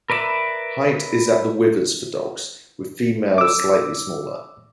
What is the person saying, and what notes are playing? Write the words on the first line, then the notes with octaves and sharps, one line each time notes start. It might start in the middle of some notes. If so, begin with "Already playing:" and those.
Height is at the withers for dogs, with females slightly smaller.
A#4 B4 D5 E5 D6
D6 E6